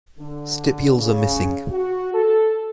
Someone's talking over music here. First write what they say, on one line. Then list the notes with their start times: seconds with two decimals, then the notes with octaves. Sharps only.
Stipules are missing.
0.18 D3
0.97 C#3
1.71 F#4
2.14 A4